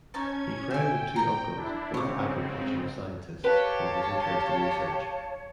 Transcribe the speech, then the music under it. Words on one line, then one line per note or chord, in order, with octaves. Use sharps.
He credited two uncles, both agricultural scientists, for his interest in research.
C#4 D#4 C#5 A5 G#6
E5 G5 G#5
A#4 A#5
D4 E4
G#2 C#3 C4 C#5 D6
G4 B4 C#5 F5 A5